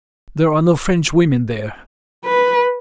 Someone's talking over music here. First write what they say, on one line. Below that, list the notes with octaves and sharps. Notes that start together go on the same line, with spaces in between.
There are no French women there.
B4